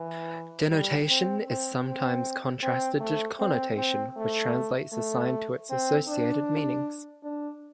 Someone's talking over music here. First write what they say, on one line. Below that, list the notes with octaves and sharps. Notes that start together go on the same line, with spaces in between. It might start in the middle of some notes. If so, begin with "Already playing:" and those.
Denotation is sometimes contrasted to connotation, which translates a sign to its associated meanings.
Already playing: E3
G3
C4
C4
C4
C4
A3
C4
C4
A3
A3
C4
D4
D4